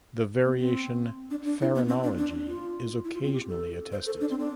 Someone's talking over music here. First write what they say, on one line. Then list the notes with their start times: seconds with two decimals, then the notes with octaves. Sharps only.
The variation "pharonology" is occasionally attested.
0.44 B3
0.59 C4
1.31 D4
1.45 D4
1.61 E4
1.75 B3
1.88 C4
2.03 D4
2.18 D4
2.47 F4
3.04 E4
3.14 F4
3.24 C4
3.34 G4
3.48 A4
3.92 C5
4.06 A4
4.21 D4
4.30 C4
4.39 D4